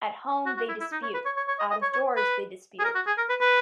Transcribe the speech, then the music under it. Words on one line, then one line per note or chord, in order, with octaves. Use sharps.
At home they dispute, out of doors they dispute.
F#4
F#4
E4
E4
D#4
C#5
B4
C#5
C#5
C#5
D#5
D#5
C#5
C#5
B4
G#4
A#4
F#4
G#4
A#4
B4
B4